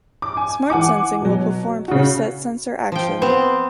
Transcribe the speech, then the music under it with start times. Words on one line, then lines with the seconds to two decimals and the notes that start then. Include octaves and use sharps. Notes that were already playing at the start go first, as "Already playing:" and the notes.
Smart sensing will perform pre-set sensor action.
0.22 D6
0.37 G#5
0.70 E3 F#5 G#5 D6
1.21 B2 F#3
1.88 C#3 F#4
2.92 F3 G5
3.22 B3 C4 C5